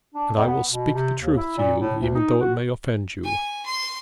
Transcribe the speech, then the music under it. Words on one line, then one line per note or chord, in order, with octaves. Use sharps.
And I will speak the truth to you, even though it may offend you.
D4
F2
B3
B2
C3
D#2
E4
A#2
A2
D2
D#4
F#4
G#5
C6